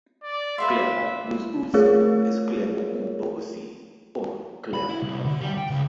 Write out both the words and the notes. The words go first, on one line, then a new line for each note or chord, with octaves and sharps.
Clermont was also known as Clermont-en-Beauvaisis or Clermont-en-France.
D5
B4 E5 F5 C6
A3 F4 G#4 A#4 C#5
B5
E4
C2
D3
G3
G5
C#2